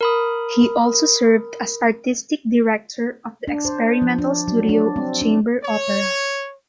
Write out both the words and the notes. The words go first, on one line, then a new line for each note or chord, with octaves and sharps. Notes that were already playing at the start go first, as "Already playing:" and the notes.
He also served as artistic director of the Experimental Studio of Chamber Opera.
A#4 B5 D#6
D4
C5
F3
D4
F#3
D4
C4
D4
C#5